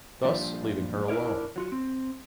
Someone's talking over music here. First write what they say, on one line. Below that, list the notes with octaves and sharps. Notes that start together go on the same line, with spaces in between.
Thus leaving her alone.
A#2 F3 G3 D4 F4
D4 E4 A#4 C#5 D5
F#3 F4 F#4
C4